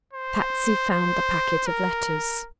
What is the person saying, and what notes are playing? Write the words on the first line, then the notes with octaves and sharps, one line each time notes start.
Patsy found the packet of letters.
C5
C5
A#4